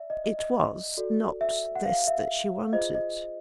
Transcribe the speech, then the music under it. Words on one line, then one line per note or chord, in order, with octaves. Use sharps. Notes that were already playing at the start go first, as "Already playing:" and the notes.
It was not this that she wanted.
Already playing: D5 E5
D#5
D#5
D#5
F#4 A4 D5
E5
F#5
F5
E5
F4 G#4 C5 D#5
D#5